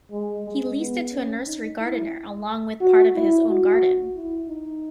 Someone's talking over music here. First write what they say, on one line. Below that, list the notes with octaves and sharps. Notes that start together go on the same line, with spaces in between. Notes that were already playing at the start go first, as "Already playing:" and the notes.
He leased it to a nursery gardener along with part of his own garden.
G#3
G#3
B3
C#4
D#4
E4
F#4
E4
F#4
E4
D#4